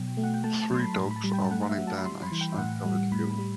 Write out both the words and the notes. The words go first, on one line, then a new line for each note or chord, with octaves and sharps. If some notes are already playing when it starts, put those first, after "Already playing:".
Three dogs are running down a snow covered hill.
Already playing: B2 F#3 G5
A3
F#5
G5
A3 A5
A5
F#3 C6
B5
A2 B5
B5
A5
G3
G5
A3 F#5
E5
F#3
A5
B5
G3 C6
B5
E3
G5
E5
A2 F#5
G3
A2 B5
G3